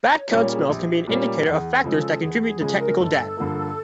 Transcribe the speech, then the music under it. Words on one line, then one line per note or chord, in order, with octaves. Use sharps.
Bad code smells can be an indicator of factors that contribute to technical debt.
C#5
A#2 G3 A#3 C#4 C#5
G#4
A#1 G4
A#2 G3 A#3 C#4
E2 G#4
A4
C#3 F3 G#3
A4
E2 G#4
G#4
C#3 F3 G#3 G#4
A#4
G1 A4
G2 D3 F3 A#3